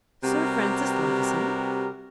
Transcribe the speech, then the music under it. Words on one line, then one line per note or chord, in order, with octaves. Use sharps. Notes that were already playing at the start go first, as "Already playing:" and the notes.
Sir Francis Levison?
C3 G3 F#4 G4 A#4 B4